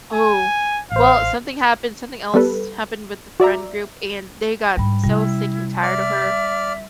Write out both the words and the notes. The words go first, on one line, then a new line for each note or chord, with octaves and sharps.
Oh, well, something happened something else happened with the friend group and they got so sick and tired of her
G#5
A1 C5 F5
G3 B3 A4 B4
F#4 D5 E5 A#5
G#2 G3 D4 B5
C3 G3 C#4 E4
D5 E5 F6